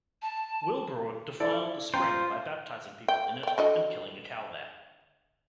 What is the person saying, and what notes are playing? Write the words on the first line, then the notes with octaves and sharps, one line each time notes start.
Willebrord defiled the spring by baptizing people in it and killing a cow there.
A5
E4 A4 D5
F4 C5 G5 A#5
G5
D5 G5
D3 F#4 D#5